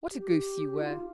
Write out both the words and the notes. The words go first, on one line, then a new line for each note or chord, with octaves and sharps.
"What a goose you were."
G4
D#4
F4